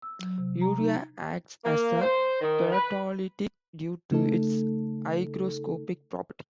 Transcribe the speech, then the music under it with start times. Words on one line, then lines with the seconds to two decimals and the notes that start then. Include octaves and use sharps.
Urea acts as a keratolytic due to its hygroscopic property.
0.02 E6
0.19 F#3
0.38 C3
0.61 A#5
0.79 D#4
1.64 A#3
2.01 C5
2.40 D#3
2.72 B4
4.11 C#3 A3 D#4 A4